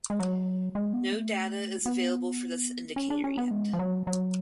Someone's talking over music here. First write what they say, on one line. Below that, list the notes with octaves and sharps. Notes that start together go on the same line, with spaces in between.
No data is available for this indicator yet.
G#3
F#3
G#3
B3
A3
B3
C#4
D4
C#4
B3
G#3
F3
F#3
F#3